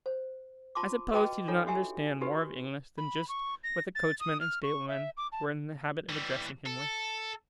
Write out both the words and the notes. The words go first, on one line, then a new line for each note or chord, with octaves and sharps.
I suppose he did not understand more of English than just what the coachman and stableman were in the habit of addressing him with.
C5
F4 A5 C6 D6
F#4 B4 D#5 G5 A5 D6
D4 D#4 F4 A4 C#5
F#4 G4 E5 G#5
D#4 F#4 G4 B4
B5
C#6
A#6
A6
D#6
F6
C#6
E5
D6
A5
E3 G3
A4